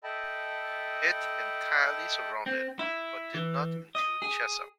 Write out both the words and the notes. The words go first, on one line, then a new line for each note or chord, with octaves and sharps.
It entirely surrounded but did not include Chesham.
A4 D#5 E5 G5 A5 B5
C4
E4
E3
D#5
G#4